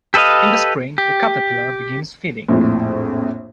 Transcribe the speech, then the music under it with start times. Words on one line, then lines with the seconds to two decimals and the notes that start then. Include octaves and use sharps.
In the spring the caterpillar begins feeding.
0.14 G4 A4 B4 D#5 F5
0.98 G4
2.48 A#1 F2 A2